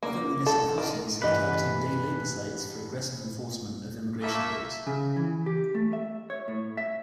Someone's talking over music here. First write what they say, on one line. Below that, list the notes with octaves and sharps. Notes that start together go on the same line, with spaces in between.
Other municipalities have targeted day labor sites for aggressive enforcement of immigration laws.
A#3
A4
D#3
G2 E3 A3 G4 B4 D#5 F#5
A3 A#3 E5
C#3
E3
G4
A3
E5
C#5
A2
E5